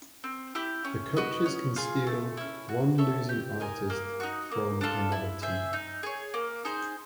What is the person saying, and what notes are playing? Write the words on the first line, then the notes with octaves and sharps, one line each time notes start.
The coaches can each steal one losing artist from another team.
C4
E4 G4
C#4
F#4 B4 D#5
C#4
F4 G#4
A3
C#4 E4
F#4
A4 C#5 E5
G4
A#4 D#5 G#5
A#3
D#4 F#4
A#3
D4 F4 A4
E4
G#4 C5 E5
D#4
G#4 C#5
A#3
D#4 G#4 C5